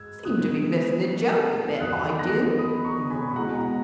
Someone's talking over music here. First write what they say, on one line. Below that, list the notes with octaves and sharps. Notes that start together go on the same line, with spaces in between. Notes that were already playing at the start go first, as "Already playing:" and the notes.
"Seem to be missing the joke a bit--I do!" he remarked.
Already playing: G#2 G#3 E6 G#6
C#3 G#3 B3 E4 D#6 F#6
E2 D#3 F#3 B3 D#4 D#6 F#6
F#6 A#6
B5 D#6
A#5 C#6
G#5 B5
B2 G#3 B3 E4 F#5 A#5
F#5 A#5